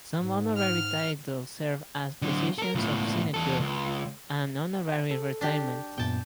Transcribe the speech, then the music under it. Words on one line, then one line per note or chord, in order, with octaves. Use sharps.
Some honorary titles serve as positions of sinecure and honorary retirement.
G#2
F6
D3 F#3
A4 A#4
C#2 A2
E2 A4
C#2
A4
D4 G4
F#2 A#2 B3 G5 A5